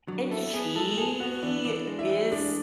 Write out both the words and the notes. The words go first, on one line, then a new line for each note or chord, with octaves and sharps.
and she is
F#3 D4 D5
E4 A4 E5
B3 G#4 G#5
G#3 A4 A5
G#4 A4 G#5
B3 F#4 F#5
E3 D4 D5
E3 D4 D5
G#3
E4 E5
E3
G#3 D4 D5